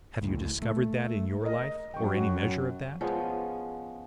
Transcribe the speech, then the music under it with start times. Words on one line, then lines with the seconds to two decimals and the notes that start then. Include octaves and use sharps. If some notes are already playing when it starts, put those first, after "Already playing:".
Have you discovered that in your life, or any measure of that?
0.22 C#2 A2
0.62 A3
1.42 A#4 D#5
1.94 F#2 G5 C#6
2.14 F#4
3.01 F3 G#3 B3 C#4